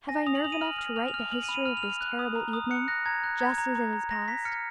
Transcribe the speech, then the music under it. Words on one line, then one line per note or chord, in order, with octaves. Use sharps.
Have I nerve enough to write the history of this terrible evening, just as it has passed?
G#5 A#6
D#6 F7
F#7
D#6 F7
D#7
F6 F#7
F6
F6 F7
F7
F6
F7
F6 F#7
D#7
B5 F7
D#7
F6 F7
F7
F6
F7
F#6
D#6
A#5
D#6
F#6 C#7
F#6 A#6
A#5 G#6
F#6
A#5 G#6
A#5
A#5
A#5
A#5 A#6
A#5 B6
F6 C#7